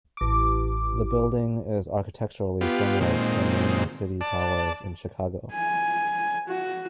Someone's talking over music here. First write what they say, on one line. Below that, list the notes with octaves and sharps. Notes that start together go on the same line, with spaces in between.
The building is architecturally similar to the Marina City towers in Chicago.
A1 D6
B3 F4 G4
A#2 D#3 G#3 C4
D5 A5
G#5
F#4